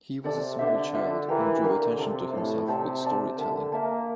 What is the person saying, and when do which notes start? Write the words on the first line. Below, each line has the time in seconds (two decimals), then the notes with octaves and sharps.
He was a small child and drew attention to himself with storytelling.
0.24 C3 A4 D5 A5
0.59 D3 D4 F4 C5 E5
0.93 D4 F4 C5 E5
1.28 E3 G4 A#4 F5 A#5
1.64 D3 G4 A#4 F5 A#5
1.98 C3 D4 F4 A4
2.33 A2 D4 F4 A4
2.68 C3 G4 D5 A5
3.03 G4 D5 A5
3.37 D3 A#4 E5 A5
3.72 A#3 A#4 E5 A5